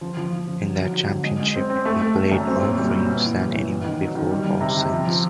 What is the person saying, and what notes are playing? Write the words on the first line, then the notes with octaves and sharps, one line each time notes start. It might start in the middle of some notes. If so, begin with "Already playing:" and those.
In that championship he played more frames than anyone before or since.
F3
F3
F3
F3
F#3
F#3
D3
D3
G#3
G#3
C4
C4
A3
A3
A3
F#2
C4
A#2
G3
A#2
B3
E3
G3
E3
B3
D#3
F#3
D#3
G3
G3
C3
C3
F3
F3